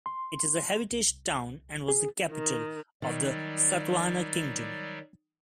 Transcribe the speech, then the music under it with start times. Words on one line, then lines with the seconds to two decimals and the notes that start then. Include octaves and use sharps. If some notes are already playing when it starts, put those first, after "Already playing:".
It is a heritage town and was the capital of the Satavahana Kingdom.
0.06 C6
0.91 C2
1.88 G#4
2.31 D#3
3.02 D#3 F#3 G3 D5